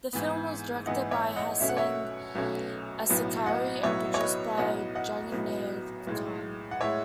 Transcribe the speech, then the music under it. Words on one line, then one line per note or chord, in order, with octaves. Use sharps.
The film was directed by Hasan Askari and produced by Jahangir Khan.
G#2 E3 B3
G#2 E3 B3 D#5 F#5
C#5 E5
D#5 F#5
B1 B2 A3 C#4 E5
F#5
C#5 E5
B1 B2 A3 C#4
B1 A2 F#3 B3
D#5 F#5
B1 A2 F#3 B3 C#5 E5
C#5
B4 D#5
B1 A2 F#3 B3 D#5 F#5
D#5 F#5
B1 A2 F#3 B3
B1 A2 G#3
F#5
A2 G#3 C#5 E5